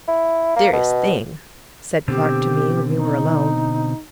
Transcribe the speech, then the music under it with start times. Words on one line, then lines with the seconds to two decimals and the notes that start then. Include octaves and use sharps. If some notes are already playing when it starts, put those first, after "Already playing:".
'Mysterious thing,' said Clark to me, when we were alone.
0.08 E4
0.56 A#3
0.73 B2
2.08 B2 D3 C4 G4
2.96 D#4